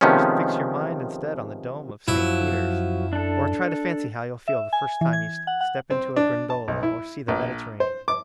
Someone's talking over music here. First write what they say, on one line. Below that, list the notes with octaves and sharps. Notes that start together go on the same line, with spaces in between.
Just fix your mind instead on the dome of St. Peter's, or try to fancy how you'll feel the first time you step into a gondola or see the Mediterranean.
C3 D#3 F3 G#3 B3 C#4
F#2 F3 F#3 E4
D4 A4
E5
G#5
E3
G#6
F#5
F#5
C4
D4
A5
B1
E4
A#1
C5
D6